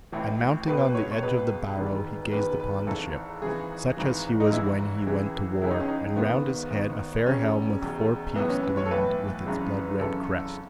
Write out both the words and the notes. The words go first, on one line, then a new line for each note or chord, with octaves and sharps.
And mounting on the edge of the barrow he gazed upon the ship, such as he was when he went to war; and round his head a fair helm with four peaks gleamed with its blood-red crest.
A1 A2 E3
C#2 B2 B4
C#5
C#5
C#2 B2 B4
E1 E2 D#3
E1 E2 D#3 B4
B4
G#1 G#2 E3 A4
G#1 G#2 E3 G#4
G#1 G#2 E3
D#4
G#1 G#2 E3 E4
C#2 C#3 E3
C#2 C#3 E3 E4
D#4
C#4
D#4
G#1 G#2 D#3 B3
G#1 G#2 D#3
E1 E2 C#3 C#4
E1 E2 C#3
B1 A2 E3 B3
C#4
B4
C#5
A4
B1 A2 E3 B4
G#1 F#2 C#3 E3
G#1 F#2 C#3 E3 A4